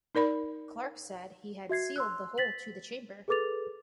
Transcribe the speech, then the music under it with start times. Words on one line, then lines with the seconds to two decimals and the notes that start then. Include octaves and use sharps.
Clark said he had sealed the hole to the chamber.
0.15 D#4 A#4 D5 B5
1.69 F#4 E5 G#6 C7
1.96 C6 E6 F#6
2.38 A6 B6 F#7
3.28 G#4 A4 B4 D6 A6 F7